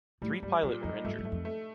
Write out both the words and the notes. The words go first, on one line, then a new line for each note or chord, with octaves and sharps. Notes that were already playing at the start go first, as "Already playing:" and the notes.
Three pilot were injured.
A2 G3
G2 G3
G2 A#2
F2 D#4
G2 A3
G2
A3
F2
A3